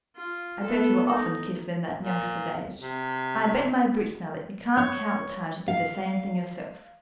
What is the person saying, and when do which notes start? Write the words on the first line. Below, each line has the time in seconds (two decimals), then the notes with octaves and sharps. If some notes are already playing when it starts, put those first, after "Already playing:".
I bet you were often kissed when that youngster's age. I bet my boots now that you can't count the times you did the same thing yourself.
0.16 F4
0.63 B3 A4
1.11 D#4
2.03 A#2
2.82 C3
4.77 C#5
5.68 F5